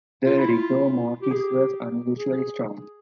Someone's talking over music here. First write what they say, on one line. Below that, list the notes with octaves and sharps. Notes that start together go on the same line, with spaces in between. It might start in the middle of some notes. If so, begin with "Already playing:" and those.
The "rigor mortis" was unusually strong.
F4
E4
F4
G4
G#4
G4
G#4